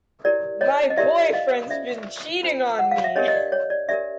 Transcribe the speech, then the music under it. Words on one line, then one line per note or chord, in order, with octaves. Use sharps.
My boyfriend's been cheating on me.
E4 G4 A#4 C#5 D5
C#5 D#5
D#5
E4 G4 A#4 C#5 D5 E5
D#5 F5
D4 F4 A4 C5 D5 E5
D4 F4 A4 C5
F#5
F5
E5
D4 G4 A#4 C#5 D#5
D#5
D5
C#5
D5
D4 G4 A#4 D5 E5